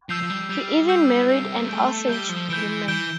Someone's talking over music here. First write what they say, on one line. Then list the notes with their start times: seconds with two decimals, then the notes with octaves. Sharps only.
He even married an Osage woman.
0.09 F3 E6 G6 C7 F7
0.22 F3
0.30 G3
0.49 G3 E6 G6 C7 F7
0.89 E6 G6 C7 F7
1.15 E4
1.29 D4 E6 G6 C7 F7
1.42 C4
1.56 B3
1.69 A3 G6 D7 G7
2.09 G3 G6 D7 G7
2.29 F3
2.48 E3 G6 D7 G7
2.88 E3 G6 D7 G7